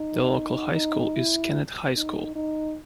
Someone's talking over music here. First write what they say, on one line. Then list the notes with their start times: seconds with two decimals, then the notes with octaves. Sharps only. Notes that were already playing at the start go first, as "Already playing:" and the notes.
The local high school is Kennett High School.
Already playing: D#4
0.74 D#4
1.15 E4
1.96 D#4
2.35 D#4